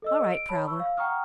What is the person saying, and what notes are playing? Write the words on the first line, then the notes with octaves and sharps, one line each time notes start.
"All right, Prowler."
A4 D#5 E6
D7
C#5 A5 B5
C#6 E6
F5
F#5 G5 A#5 C#6 D#6 F6